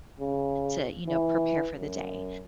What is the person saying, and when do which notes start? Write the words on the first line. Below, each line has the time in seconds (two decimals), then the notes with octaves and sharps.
to, you know, prepare for the day,
0.19 C#3
1.08 E3
1.76 F#2